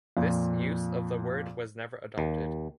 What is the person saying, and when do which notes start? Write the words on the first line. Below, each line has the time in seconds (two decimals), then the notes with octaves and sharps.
This use of the word was never adopted.
0.17 F2 A#2
2.18 D#2